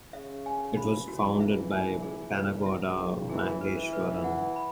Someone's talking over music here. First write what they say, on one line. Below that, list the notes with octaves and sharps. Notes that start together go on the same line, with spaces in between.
It was founded by Panagoda Maheswaran.
C#3 E5
G#5
B5
E3 F#4
E5
G#5
G#4
B4
E5
C#3 C#4
E3 G#4
E3 B4
B4
F#5
B5